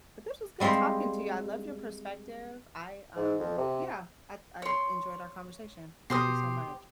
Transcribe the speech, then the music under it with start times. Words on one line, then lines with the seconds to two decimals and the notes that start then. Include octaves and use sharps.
But this was good talking to you. I love your perspective. I, um, yeah, I I enjoyed our conversation. Thank you so much.
0.60 G3 G#3 C4 F4 C5
3.16 G#2
3.39 F2
3.57 C3
4.62 C#5 C6
6.10 B2 G4 C5 D#6 C7